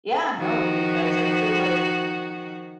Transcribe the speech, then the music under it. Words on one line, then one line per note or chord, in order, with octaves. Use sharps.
Yeah, no, because I feel like,
D#3 F3 F#4